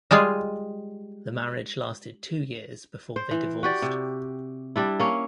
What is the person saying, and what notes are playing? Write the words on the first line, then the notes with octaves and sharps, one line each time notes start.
The marriage lasted two years before they divorced.
G3 G#3 F4 G#4
C5
E3
F#4 G4 D5
C3
G3 D4 E4
A#3 C#4